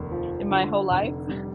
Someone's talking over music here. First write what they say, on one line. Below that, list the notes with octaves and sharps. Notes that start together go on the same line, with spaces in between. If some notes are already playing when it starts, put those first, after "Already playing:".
in my whole life. S
Already playing: F1 D#2
F3
D3
F1
G3